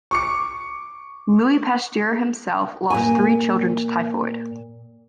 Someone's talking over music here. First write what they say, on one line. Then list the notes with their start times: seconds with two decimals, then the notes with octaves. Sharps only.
Louis Pasteur himself lost three children to typhoid.
0.11 C#6 D6 C#7
2.90 A#2 G#5